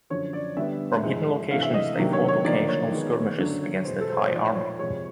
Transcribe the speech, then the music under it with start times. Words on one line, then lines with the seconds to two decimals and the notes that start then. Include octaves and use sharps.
From hidden locations they fought occasional skirmishes against the Thai Army.
0.10 F#2 D3 F3 C#5
0.33 D5
0.57 D3 G3 B3 E5
1.04 G#2 F3 G#3
1.51 C3 E3 A3 D4 F5
1.63 E5
1.74 D#5
1.98 C3 D#3 F#3 A#3 D4
2.13 C#5
2.28 C#5
2.44 D3 F3 A#3 D#4 D5
2.68 C#5
2.91 D#3 G#3 B3
3.38 F#2 D3 F#3 A3 D4
3.85 E2 B2 G#3 B3 C5
4.01 A4
4.10 C5
4.17 C#5
4.31 A#2 F3 A#3 D#4 D5
4.55 C#5
4.78 C3 F3 G#3 C#5